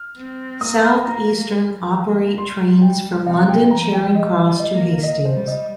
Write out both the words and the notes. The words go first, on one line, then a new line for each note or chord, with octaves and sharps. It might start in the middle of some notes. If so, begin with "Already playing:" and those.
Southeastern operate trains from London Charing Cross to Hastings.
Already playing: F6
C4
A#3 D#6
C6
A#3 A#5
G3
F3
A#3
G3 C6
G5
C3 F5
G5
F3 A#5
G5
G3 D#5
G3
D#5
A#3
D#5
C5
G3
D#5